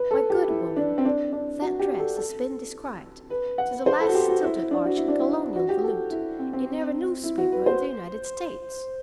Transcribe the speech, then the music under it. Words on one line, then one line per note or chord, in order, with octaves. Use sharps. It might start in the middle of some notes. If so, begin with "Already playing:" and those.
"My good woman, that dress has been described, to the last stilted arch and Colonial volute, in every newspaper in the United States!"
Already playing: B4
A4
G4
E4
D4
C4
D4
D4
F#4
G4
A4
A4
B4
F#5
C5
A4
F#4
G4
F#4
E4
E4
D4
F#4
E4
D4
E4
F#4
G4
A4
E4
C4
C4
E4
F#4
B4
C5